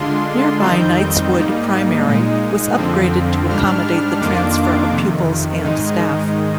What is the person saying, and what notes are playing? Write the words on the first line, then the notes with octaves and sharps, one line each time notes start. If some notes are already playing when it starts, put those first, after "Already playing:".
Nearby Knightswood Primary was upgraded to accommodate the transfer of pupils and staff.
Already playing: D3 G#3 D4 F4 C6
F2 D#3 G3 C4 D#4 G6
G#2 G3 A#3 D#4
A#2 G#3 D#4
F2 D3 F3 C4
G#2 G3 D4 F6
F2 D#3 A#3 D4 F4 D6
F2 C3 D#3
G#2 D#3 G#3 D#4